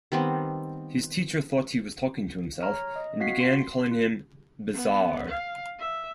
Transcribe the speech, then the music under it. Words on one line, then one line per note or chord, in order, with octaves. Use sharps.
His teacher thought he was talking to himself, and began calling him 'Bizarre'.
D#3 G3 B3 C4
C#5 A#5 F6
D#5
C4 F#4 F5 F#5 B6 C7
C6
F4
B3
F5
E5